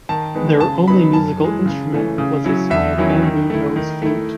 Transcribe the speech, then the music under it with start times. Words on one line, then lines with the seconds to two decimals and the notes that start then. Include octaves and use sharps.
Their only musical instrument was a small bamboo nose flute.
0.09 D#3 A5
0.35 G#3 B3 D#4
0.60 C#3 A5
0.88 F#3 B3 D#4 B5
1.13 F#2 A5
1.40 E3 G#3
1.66 C#3
1.92 E3 A3 C#4
2.18 C#3
2.44 F#3 C#4 E4
2.70 E2 E5
2.98 D#3 F#3 C#4 E4
3.23 D#3
3.50 A3 E4
3.76 D#3
4.02 A3 E4